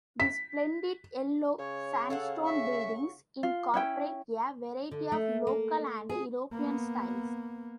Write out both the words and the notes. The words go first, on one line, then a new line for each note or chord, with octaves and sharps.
These splendid yellow sandstone buildings incorporate a variety of local and European styles.
B6
C#3 C#5
A4 F5 F#5
E5 C#6
F4
C#4 E4 G5
D3
A3
A#3
G#4
A#3 B3